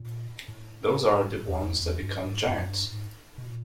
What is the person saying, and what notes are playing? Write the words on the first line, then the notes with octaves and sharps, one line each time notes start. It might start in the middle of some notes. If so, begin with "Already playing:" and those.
Those are the ones that become giants.
Already playing: A#2
A2
G#2
A2
E2
F2
E2
G2
G#2
F#2
F#2
G2
A2
G#2
B2
A#2